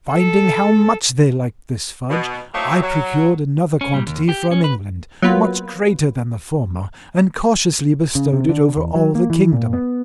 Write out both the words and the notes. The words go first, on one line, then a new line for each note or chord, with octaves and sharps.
Finding how much they liked this fudge, I procured another quantity from England, much greater than the former, and cautiously bestowed it over all the kingdom.
A4
B2
F#3 A3 A#3 C4 D#4 E4
F#3
C#4
A#2 G3
D#2
G4
C#4
B4
F#3 A#3 B3 F4 B4
C#3
C3
D3
E2
F#3
A#3
E3
A#2
B3